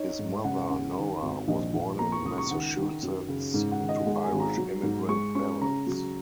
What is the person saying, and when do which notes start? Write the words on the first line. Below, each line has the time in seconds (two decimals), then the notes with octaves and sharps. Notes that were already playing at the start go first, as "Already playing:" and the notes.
His mother, Nora, was born in Massachusetts to Irish immigrant parents.
Already playing: D#4 C#5
0.19 G#2
0.44 C#3 F#5
0.70 C#4
0.97 D#3
1.22 G#1
1.48 A#1 D#5
1.74 A#1
1.99 A#3 A#5
2.12 C#6
2.25 C#2 D#6
2.38 C#6
2.50 D#3 F#5
2.77 D#3
3.03 F#2
3.28 C#3
3.54 G#2
3.71 F#5
3.80 D#3
3.89 D#5
4.06 G#3 F#5
4.23 G#5
4.31 G#1
4.40 A#5
4.57 F#3
4.83 G#2
5.09 G#3 C#6
5.35 C#4 C#6
5.61 C#3 A#5
5.87 F#3